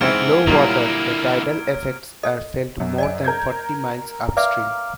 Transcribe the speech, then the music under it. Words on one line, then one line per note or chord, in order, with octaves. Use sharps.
At low water the tidal effects are felt more than forty miles upstream.
E2 G#2 C4 E4 F6 G#6 D7
A#2 D3 F#3 G3 A#3 E4
A4 D#5
F#2
D5 D#5 G#5
A#4 G6 G#6
B4 D5 E5 F5 D6 F6